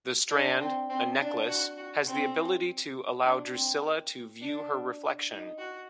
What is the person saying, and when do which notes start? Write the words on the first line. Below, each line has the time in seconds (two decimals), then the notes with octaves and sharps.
The strand, a necklace, has the ability to allow Drusilla to view her reflection.
0.31 D4
0.60 C4
0.90 C4
1.19 D4
1.48 F#4
1.77 F#4
2.07 C4
3.24 D4
3.53 C4
4.41 D4
5.29 D#4
5.58 F#4